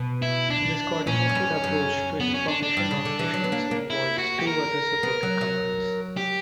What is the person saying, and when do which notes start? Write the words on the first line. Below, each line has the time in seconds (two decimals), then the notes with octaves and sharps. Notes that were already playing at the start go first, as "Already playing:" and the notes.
This coordinated approach to information operations involves two other supporting commands.
Already playing: B2
0.22 E4
0.50 D4
1.07 A#2 C#4
1.29 F#2
1.35 G2
1.64 F#2
2.20 B3
2.34 C#4
2.48 D4
2.63 D4
2.77 G2
2.91 C#3
3.05 D3
3.19 E3
3.34 F#3
3.44 B3
3.52 A#3
3.71 A#3
3.90 E4
4.18 F#4
4.39 G4
4.47 A#4
5.03 B3
5.23 F#3
5.41 F#3
6.17 G4